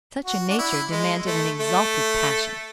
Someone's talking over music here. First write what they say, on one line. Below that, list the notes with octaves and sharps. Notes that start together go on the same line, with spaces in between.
Such a nature demanded an exalted passion.
F#4
D4
E4
G#3
A3
A3